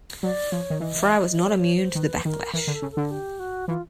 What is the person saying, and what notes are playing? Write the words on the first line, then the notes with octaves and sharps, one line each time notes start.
Fry was not immune to the backlash.
F#3 D5
F3 C#5
D#3
E3 D#5
E5
D#5
C#5
C#5
C5
D#3 B4
D#3 A#4
E3 A#4
D3
A4
C#3
A4
D3
G4
F#4
E3 F4